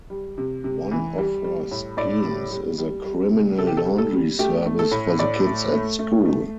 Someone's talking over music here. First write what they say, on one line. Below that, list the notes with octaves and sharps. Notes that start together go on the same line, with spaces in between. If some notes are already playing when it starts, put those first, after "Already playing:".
One of her schemes is a criminal laundry service for the kids at school.
G3
C3
C3
E3
G3
G3
A2
A2 D5
G3
G3
G3
G3
C3
C3 A4
G4
A4
G3
A4
G3
A3 G4
A3
A4
A2
A2 D5
A3
A3
A3
A3